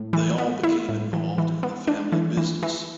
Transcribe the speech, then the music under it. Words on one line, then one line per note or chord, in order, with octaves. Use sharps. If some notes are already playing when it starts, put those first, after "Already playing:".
They all became involved in the family business.
Already playing: A2
E3
B3
E4
A2
E3
E3
B3
D4
E3
E3
E3